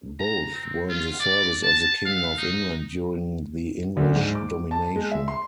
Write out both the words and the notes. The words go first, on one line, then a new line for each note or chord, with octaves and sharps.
Both were in the service of the king of England during the English domination.
A#5
C4
F4
D5
A5
F5
D#4
D2
G#2
D6
A5
G#3
E5
C6